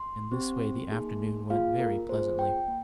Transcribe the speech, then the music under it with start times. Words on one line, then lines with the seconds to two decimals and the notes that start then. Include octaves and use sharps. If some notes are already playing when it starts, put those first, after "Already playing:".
In this way the afternoon went very pleasantly.
Already playing: C6
0.32 C4 G4
0.92 A#3 D#4 G#4
1.50 A#3 F4 G#4 F5
1.80 A#4
2.09 A#3 F4 G#4 C5
2.39 G5
2.68 A#3